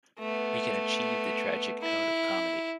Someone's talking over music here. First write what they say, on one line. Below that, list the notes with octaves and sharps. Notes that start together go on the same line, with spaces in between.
We can achieve the tragic out of comedy.
A3 B3
E4